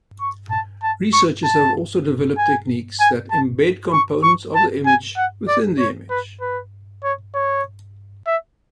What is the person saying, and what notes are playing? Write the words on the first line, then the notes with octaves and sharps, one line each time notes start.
Researchers have also developed techniques that embed components of the image within the image.
C#6
A5
A5
C#6
A5
G#5
G#5
A5
C#6
C#6
A5
G#5
F#5
D5
C#5
B4
B4
C#5
C#5
E5